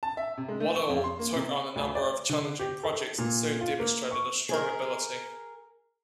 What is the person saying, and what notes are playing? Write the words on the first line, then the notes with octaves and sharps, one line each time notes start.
Waddell took on a number of challenging projects and soon demonstrated a strong ability.
A5
E5
C3
G#3
A3
C#6
F2
C6
A#3
C3
D2
D5
D3
G4
A4
A#2
F4
A#3
C#6
G#4 A#4